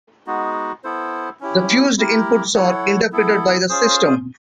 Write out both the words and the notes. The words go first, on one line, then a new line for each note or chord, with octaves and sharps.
The fused inputs are interpreted by the system.
G#3 B3 D#4 F#4
B3 E4 A4 C5
C#4 E4 G4
E4 G4 A#4
E4 A4 C#5 F#5
B3 E4 A4
C#4 F4 G#4 C5